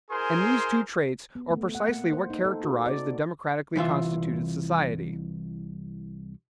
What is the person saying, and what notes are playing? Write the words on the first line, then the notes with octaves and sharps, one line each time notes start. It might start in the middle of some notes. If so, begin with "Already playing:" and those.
And these two traits are precisely what characterize the democratically constituted society.
E4 G#4 A#4 C5 G#5 C6
B3
A3
F#5
A#3
C5
D#4
A4
F#4
D5
C2 E3 F4 E5